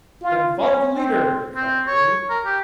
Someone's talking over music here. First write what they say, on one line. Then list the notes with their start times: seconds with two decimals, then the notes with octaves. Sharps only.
"Then follow the leader," he cried gaily.
0.22 F4
0.57 C#4
0.93 C4
1.55 C4
1.87 C#5
2.30 A#4
2.45 G4